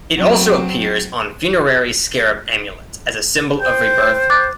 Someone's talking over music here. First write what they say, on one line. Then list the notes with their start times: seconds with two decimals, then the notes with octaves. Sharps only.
It also appears on funerary scarab amulets as a symbol of rebirth.
0.16 F#3 C4
3.61 C5 G5 G6
4.30 D6 F#6 A6